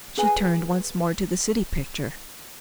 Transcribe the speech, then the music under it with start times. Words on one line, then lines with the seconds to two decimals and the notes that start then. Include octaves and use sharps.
She turned once more to the city picture.
0.17 G#4 B4 G#5